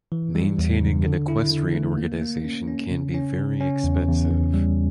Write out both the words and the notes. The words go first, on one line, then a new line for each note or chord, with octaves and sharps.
Maintaining an equestrian organization can be very expensive.
E3
G3
E2
C#3
D3
E4
D3
A3
A#3
A#3
C#4
C#4
C#3
C#4
C#3
C#4
E2
E2
E2
G3